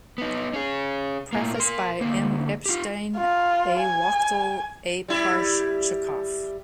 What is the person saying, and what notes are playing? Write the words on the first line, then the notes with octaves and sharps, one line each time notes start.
Preface by M. Epshtein, A. Wachtel, A. Parshchikov.
B3 D#4
C#4 G#4
A2 A#3
A#4 C6
D2 A#3
F4 G4
F4
G#5
G3 E4